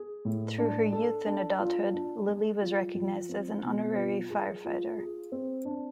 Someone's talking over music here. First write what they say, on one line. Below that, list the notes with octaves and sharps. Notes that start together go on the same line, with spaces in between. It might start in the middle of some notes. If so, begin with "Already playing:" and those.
Through her youth and adulthood Lillie was recognized as an honorary firefighter.
Already playing: G#4
A2
D4
A4
D4
F4
D4
G#3
F4
F3
C4
B2
F4
G#4
F4
G#4
C4
D4